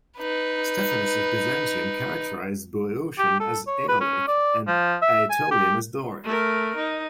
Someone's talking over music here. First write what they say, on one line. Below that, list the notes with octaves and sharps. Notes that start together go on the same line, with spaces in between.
Stephanus of Byzantium characterized Boeotian as Aeolic and Aetolian as Doric.
D#4 B4
G4
A4
C#5
B4
C#4
D5
F3
E5
G#5
G4
A3 A#4
D#4